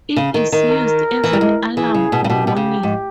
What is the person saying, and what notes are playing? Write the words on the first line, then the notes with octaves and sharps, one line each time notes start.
It is used as an alarm or warning.
C#3
D#3
D#3
A#4
E3
G3
G#3
E3 G#4
C#3
B2
C#3
B2 G4
B2
C#3
G#2